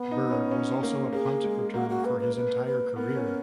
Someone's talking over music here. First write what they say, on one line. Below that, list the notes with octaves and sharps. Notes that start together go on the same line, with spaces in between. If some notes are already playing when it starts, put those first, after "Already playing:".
Byrd was also a punt returner for his entire career.
Already playing: B3
D#4
C#4
C#4
A#3
A#3 G#4
G#3
A#3 F#4
F#4
B4
B4
B4
B4
B3 A#4
C#4